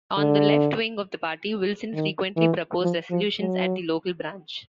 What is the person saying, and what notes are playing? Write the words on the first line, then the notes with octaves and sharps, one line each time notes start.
On the left-wing of the party, Wilson frequently proposed resolutions at the local branch.
D3
D#3
E3
F3
F3
F#3